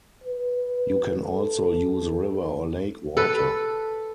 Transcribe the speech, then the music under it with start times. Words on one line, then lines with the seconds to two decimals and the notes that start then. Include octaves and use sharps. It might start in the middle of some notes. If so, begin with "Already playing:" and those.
You can also use river or lake water.
0.24 B4
1.23 A4
3.17 A4 B4